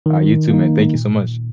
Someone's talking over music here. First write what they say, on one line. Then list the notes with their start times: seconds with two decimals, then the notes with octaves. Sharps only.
Alright you too, man, thank you so much.
0.06 D#3
0.50 A#3 D#4
0.95 A#2